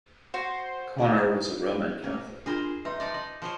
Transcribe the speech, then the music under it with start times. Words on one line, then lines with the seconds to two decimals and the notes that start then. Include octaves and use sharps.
Connor was a Roman Catholic.
0.34 F#4 C5
0.98 D#4 E4 D5
2.03 A#3 C#4 A#4
2.46 D4 F4 G#4 A#4 C5
2.85 D#4 B4 E5 C6
3.00 F3 D#4 D5
3.14 D#4 F#7
3.42 F3 C5 C#5